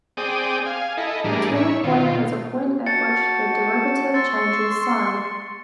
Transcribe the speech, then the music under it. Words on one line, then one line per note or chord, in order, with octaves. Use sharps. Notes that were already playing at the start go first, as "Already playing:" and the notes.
A turning point is a point at which the derivative changes sign.
C4 G#4 D5 G5 D#6
F5 G#5
E4 A4 D#5
A2 E3 G3 D4 G#4 A#4
C#5 E5
B2 D#3 F4
F#4 G5 A5 A6 C#7
C6 C#6 E6 A6